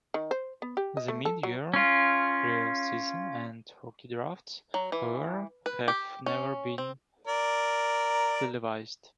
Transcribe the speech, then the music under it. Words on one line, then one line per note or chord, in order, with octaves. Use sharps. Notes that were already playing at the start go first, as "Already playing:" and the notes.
The mid-year, pre-season and rookie drafts, however have never been televised.
D#3
C5
B3
G4
D#5
A3
A4
F#3
C#4 F4
F#3
E3
B4
G4
C#4
C4
A#4 D5